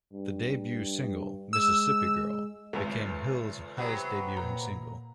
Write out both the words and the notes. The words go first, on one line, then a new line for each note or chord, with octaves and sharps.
The debut single, "Mississippi Girl", became Hill's highest-debuting single.
G2
G#3 E6
G#1 C#2 A3 B4
C3 F#3 B3
A#2 A#5